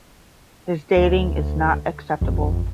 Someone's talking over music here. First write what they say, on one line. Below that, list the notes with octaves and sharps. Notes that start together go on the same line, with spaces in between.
His dating is not acceptable.
D2
A1 F2